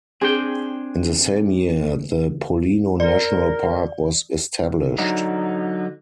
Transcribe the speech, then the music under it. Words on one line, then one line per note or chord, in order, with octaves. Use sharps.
In the same year the Pollino National Park was established.
C4 D4 G#4 G5
A#4 D5
D3 F#3 D#4